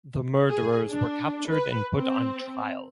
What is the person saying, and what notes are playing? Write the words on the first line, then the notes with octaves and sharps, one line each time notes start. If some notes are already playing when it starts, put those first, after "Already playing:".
The murderers were captured and put on trial.
G#4
D4
B4
C4